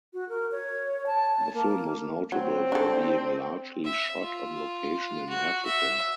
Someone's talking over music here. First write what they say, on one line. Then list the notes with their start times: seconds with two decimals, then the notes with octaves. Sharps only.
The film was notable for being largely shot on location in Africa.
0.14 F#4
0.29 A#4
0.52 C#5
1.06 A5
1.54 A#3
2.32 F#3 C4
2.72 D4 A4
3.84 E5
4.23 F4
5.29 F#4
5.65 E5